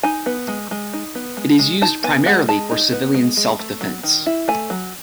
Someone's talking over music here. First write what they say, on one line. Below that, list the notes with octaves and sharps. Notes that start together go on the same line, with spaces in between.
It is used primarily for civilian self-defense.
D#4 G#5
B3
G#3
G#3
D#4
B3
G#3
G#3
D#4 A5
B3 G#5
G#3 F#5
G#3 A5
D#4
B3
G#3
G#3
A3
F#3
D#3
E4
A3 G#5
F#3